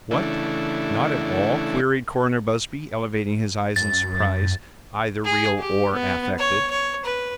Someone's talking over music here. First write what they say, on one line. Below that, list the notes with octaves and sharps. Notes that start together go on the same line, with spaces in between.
"What, not at all?" queried Coroner Busby, elevating his eyes in surprise, either real or affected.
C#3 E3 A3 D4 E4
F#2 A6
G#4
G4
B3
C#5
C#5
B4